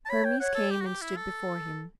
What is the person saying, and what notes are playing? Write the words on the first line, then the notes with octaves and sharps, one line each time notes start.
Hermes came and stood before him.
A5
C#5 B5
G5
C#5 F#5
A4
G4
F#4
G4
E4
A4